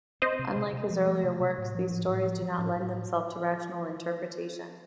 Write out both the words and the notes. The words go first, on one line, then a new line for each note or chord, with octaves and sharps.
Unlike his earlier works, these stories do not lend themselves to rational interpretation.
C4 C5 D#5
C3
C3
C3
F3
A3
C3
C3
A2
F3
A2
A2
F3
F3
A2
A2